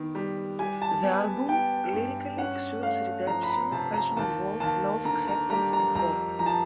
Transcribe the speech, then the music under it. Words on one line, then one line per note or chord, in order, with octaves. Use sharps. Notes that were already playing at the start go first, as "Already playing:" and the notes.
The album lyrically exudes redemption, personal worth, love, acceptance, and hope.
Already playing: D#3 B3
G3
G3 G#5
A5
B3 G#5
B3 G5
G2
C#4 F#5
A3 F5
F3 A#5
B5
A#5
C3 A5
A#5
D#2 A5
D#2 A5
D3 A#5
A#5
G3 A#5
A#5
F2 A#5
F3 A#5
A5